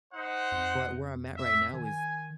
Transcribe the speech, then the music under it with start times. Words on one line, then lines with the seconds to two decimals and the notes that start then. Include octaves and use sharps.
But where I'm at right now is
0.13 D#4 C5 F#5
0.52 F2
1.36 E5
1.74 D#3 G#5